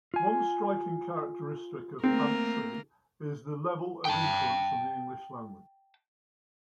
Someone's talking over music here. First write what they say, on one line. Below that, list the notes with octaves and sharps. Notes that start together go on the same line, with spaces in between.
One striking characteristic of Fantse is the level of influence from the English language.
F4 G#5
A3 A#3 C4 A#4
G5 A5